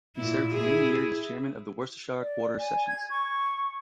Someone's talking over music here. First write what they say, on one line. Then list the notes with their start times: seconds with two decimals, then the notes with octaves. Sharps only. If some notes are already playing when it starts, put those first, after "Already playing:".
He served for many years as chairman of the Worcestershire Quarter Sessions.
0.17 A#2 E4
0.55 E4 G#4
2.20 D5
2.59 G#5
2.88 G#6
3.10 C#6